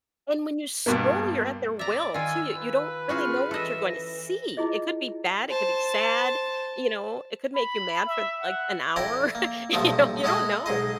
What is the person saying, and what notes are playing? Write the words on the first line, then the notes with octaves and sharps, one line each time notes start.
And when you scroll, you're at their will to you you don't really know what you're going to see. It could be bad, it could be sad, you know, it could make you mad for, like, an hour, you know, you don't know.
G2 B2 A#3
D5 E5 A#5 A6
D#3 F4 G#5 E6
B4
C#4 F4 F#4 G#4 F6
E3 A4 D#5 E5
A#6
E4 F4 G#4 D#5
C5 A5
B5
E5
F#5
F2 E4 D5 G5 A#5
A#3
B1 G2 A#2 F3 A3 B3
G#3 E4 F#4 A4 D#5
B1 G#2 G#4 D#5